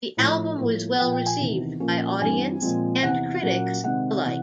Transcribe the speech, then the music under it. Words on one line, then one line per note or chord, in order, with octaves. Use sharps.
The album was well received by audience and critics alike.
A2 F3 A3
A2 F3 A#3
A#2 F3 A#3 G5
G5
G#5
E2 C3 D#3
A#2 F3 A#3 C#4
G2 E3 G3 C4 G#5
A#2 F3 G#3 C4
E2 C3 E3 F#5
A#2 F#3 A#3 C#4
C3 D#3 G#3 C4 F#5
C3 E3